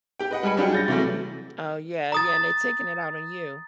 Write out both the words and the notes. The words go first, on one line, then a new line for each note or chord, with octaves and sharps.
Oh yeah, yeah, and they taking it out on you.
G4 G5
B4 D#5 F#5
G3 G#3 G#5 B5 C#7
F#3 G3 D4 F4 G4 G#4
G6 A6 A#6
C3 E3 F#3 G3 A3
A#5 D#6 A6